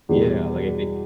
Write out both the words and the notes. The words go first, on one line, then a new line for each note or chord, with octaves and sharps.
Yeah, like, if they
E2 B2 G3